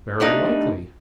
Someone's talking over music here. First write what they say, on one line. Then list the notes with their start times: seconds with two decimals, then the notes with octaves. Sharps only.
"Very likely."
0.20 G3 A3 D4 D#4